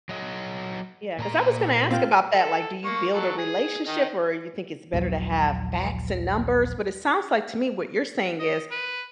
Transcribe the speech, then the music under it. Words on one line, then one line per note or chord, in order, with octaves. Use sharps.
yeah, 'cause I was gonna ask about that, like, do you build a relationship, or you think it's better to have facts and numbers, but it sounds like to me, what you're saying is,
F#3 D#5
A#2 A5 A#5
C4 F4 G5
A4
A#3 C#6
F#3 A4
G#4
D#3 D#5
A#1 D#2 F#3
D#5
B4